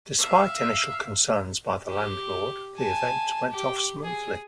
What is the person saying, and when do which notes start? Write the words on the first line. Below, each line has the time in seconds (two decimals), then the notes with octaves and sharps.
Despite initial concerns by the landlord, the event went off smoothly.
0.18 E5 F5
1.87 G4
2.78 G#5 A5
3.51 G4
4.04 G#4